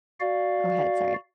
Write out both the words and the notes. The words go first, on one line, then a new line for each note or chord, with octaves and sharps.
Go ahead, sorry.
F#4 D5 F5